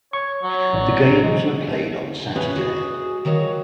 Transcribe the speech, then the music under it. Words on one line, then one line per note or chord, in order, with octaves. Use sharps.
The games are played on Saturday.
C#5 C#6
F#3
A1 D5
G#3
C#4 E4 G#4 B4 C#5
G#3 F#4 G#4
D#3 F#3 F#4 C#5 F5